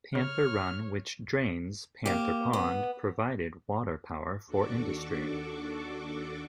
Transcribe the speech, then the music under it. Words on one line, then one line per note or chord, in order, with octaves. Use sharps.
Panther Run, which drains Panther Pond, provided water power for industry.
C#3 C#5 F6
A#3 G4
B3
D#2 D4 F#4 A4 C#6 D6